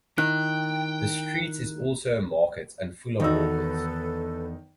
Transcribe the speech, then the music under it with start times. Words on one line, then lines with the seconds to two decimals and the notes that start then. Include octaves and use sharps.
The street is also a market and full of hawkers.
0.18 D#3 E4 G5 F#6
3.20 E2 D#3 D#4 F#4 A4 B4 E6